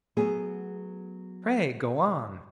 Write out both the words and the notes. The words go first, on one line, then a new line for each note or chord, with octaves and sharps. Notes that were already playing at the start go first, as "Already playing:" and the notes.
Pray go on!
F#3 A3 B3 G#4